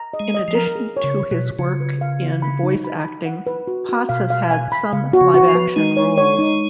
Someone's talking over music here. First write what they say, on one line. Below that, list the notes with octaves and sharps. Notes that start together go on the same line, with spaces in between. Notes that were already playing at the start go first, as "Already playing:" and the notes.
In addition to his work in voice acting, Potts has had some live-action roles.
Already playing: A#5
D#5
G#3
D#5
F3
A#4
G#4
C#5
C#3
C#5
B2
C#5
C#3 F4
B4
F5
F4
B5
D#4
B5
B5
F#5
B4
F#4
F#4
B2 F5
F5
G#5
B5
C#3 F5
F#4
C#3
F#4
F3
B4
G#3 D#4
C#5
C#5
D#4